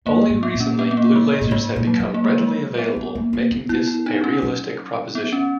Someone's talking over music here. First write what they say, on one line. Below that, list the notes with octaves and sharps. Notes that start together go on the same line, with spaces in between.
Only recently blue lasers have become readily available making this a realistic proposition.
F#2 A#3
G#2
B3
A#2
C#4
B3
B3
A#3
G#3
A#3
A#2
G#2 G#3
A#2
F#3
F#3
A#3
G#3
G#3
B3
F#3
A#3
A#3
B3
B3 E4
E4
D#4
C#4
F#3
B3
C#4